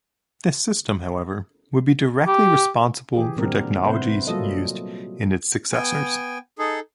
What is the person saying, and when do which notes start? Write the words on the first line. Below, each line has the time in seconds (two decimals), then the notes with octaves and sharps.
This system, however, would be directly responsible for technologies used in its successors.
2.27 G4
3.15 E3 G4 G#4
3.36 A#2 D3 G3 B3 C4 A#4
3.85 C3 B3 E4 B4 C5
4.27 F#3 G3 A#3 F4 A4 D#5
5.72 B3 G5 G#5
6.59 D#4 G#4 A4